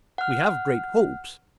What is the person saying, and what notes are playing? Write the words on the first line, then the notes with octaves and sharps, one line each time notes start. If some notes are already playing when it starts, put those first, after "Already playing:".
"We have great hopes."
F#5 F6